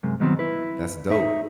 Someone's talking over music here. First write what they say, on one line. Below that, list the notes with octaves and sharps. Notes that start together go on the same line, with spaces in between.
That's dope.
F#2 C3 G#3
E2 G2 D#3 F#3 B3 C4
E4 B4
D#4 E5